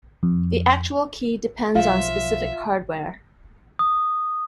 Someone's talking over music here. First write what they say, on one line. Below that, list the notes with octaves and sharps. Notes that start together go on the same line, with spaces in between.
The actual key depends on specific hardware.
F2
B1 F3 F4 E5 F5
D#6